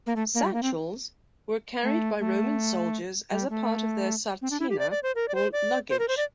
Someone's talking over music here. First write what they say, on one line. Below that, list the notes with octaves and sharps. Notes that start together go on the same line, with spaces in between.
Satchels were carried by Roman soldiers as a part of their "sarcina" or luggage.
A#3
A3
A#3
G3
A#3
C4
A3
A3
G3
A3
C4
D4
E4
G4
D5
D5
C5
A#4
D5
C5
D5
C5
A#4
C5
D5